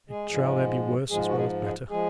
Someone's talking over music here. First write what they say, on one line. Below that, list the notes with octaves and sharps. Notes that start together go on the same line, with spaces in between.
"It trow there be worse as well as better."
G#3 G#4
G#2 F3 G#3
G#2 F3 G#3 G#4
F#4
G#3 G#4
G#3 G#4
F3 G#3 G#4